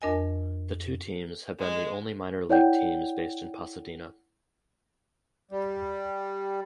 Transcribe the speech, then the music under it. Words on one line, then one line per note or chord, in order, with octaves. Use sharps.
The two teams have been the only minor league teams based in Pasadena.
F2 D4 A#4 D#5 G#5
G#3
E4 C#5 D5 F#5 G5 G6
G3